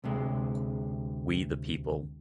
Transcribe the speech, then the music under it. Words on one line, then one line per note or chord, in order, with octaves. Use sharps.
We the People!
D2 C3 G#3